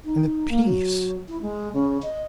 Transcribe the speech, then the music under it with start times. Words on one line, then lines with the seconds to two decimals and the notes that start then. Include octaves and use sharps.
And the peace!
0.04 D#4
0.49 A#3
0.65 F#3
1.28 E4
1.41 G#3
1.73 C#3
2.02 D#5